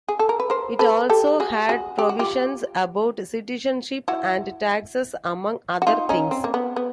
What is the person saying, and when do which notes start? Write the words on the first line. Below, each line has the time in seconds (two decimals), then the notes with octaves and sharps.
It also had provisions about citizenship and taxes among other things.
0.08 G#4
0.19 A4
0.29 A#4
0.40 B4
0.50 A#4 C5
0.79 A4 B4
1.09 G4 A4
1.40 F#4 G#4
1.69 F#4 G#4
1.99 G4
2.09 F#4
2.19 F4 G4
4.08 E4 F#4
5.82 F#4
5.87 D#4 F4
6.09 C#4 D#4
6.31 C4
6.44 A#3
6.54 B3
6.76 B3